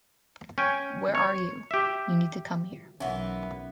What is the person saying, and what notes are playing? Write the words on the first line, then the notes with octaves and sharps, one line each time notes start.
Where are you? You need to come here.
C#4 G5 G#5
C#5
G4 E5
B1 E3 B3 C#4 A#4 E5